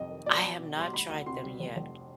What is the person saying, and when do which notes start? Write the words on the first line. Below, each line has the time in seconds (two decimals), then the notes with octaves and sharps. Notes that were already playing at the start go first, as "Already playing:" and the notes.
I have not tried them yet.
Already playing: F1 F2 G3 D#5
0.09 D#3
0.26 B1 D5
0.42 B1
0.59 B2
0.77 G3 C6
0.93 D2 B5
1.09 D2
1.26 C3 C6
1.43 G3
1.60 F1
1.76 F1